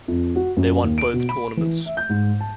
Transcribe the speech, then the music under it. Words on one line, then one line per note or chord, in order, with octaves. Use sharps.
They won both tournaments.
F2
F#4
F#2
D#2
D7
B2
B5
E3
E5
G6
G#2
A5